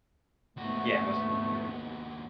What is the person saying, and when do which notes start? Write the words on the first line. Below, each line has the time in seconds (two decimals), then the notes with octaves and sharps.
Yeah, must have been in the
0.57 D#2 G#2 A3 B3 F#4